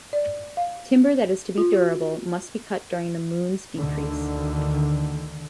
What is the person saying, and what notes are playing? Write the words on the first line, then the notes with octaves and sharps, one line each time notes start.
Timber that is to be durable must be cut during the moon's decrease.
D5
F5
F4
F#4
D2 D3 D#3